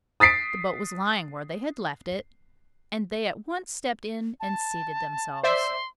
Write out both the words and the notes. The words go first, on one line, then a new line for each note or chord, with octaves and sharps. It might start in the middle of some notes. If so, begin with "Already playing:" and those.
The boat was lying where they had left it, and they at once stepped in and seated themselves.
D#6 A6 B6 C7 D7
A5
C5 D5 E5 C6